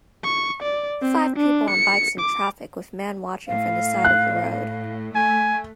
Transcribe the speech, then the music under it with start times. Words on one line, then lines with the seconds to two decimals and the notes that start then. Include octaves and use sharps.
Five people on bikes in traffic with man watching from the side of the road.
0.24 C#6
0.62 D5
1.02 C4
1.36 D4
1.70 C#7
2.20 D6
3.48 A2 F5
4.04 F#6
5.15 A3 G#5